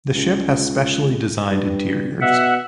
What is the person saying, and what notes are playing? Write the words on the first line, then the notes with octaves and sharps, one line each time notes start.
The ship has specially designed interiors.
C#2
G2
B2 E5 F#5